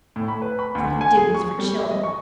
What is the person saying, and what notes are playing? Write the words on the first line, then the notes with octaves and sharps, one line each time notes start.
Pretty doings for children.
A2
B5
B4
B5
D2
G#5
G#4
C#6
G3
E5
D#5
C#6